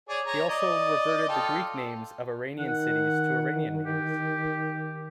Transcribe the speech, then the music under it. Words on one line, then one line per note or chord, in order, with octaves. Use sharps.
He also reverted the Greek names of Iranian cities to Iranian names.
G#4 C#5 D5
C#5 A#5
D5 D#5
F4 A4 G5
D#3 F#5
G4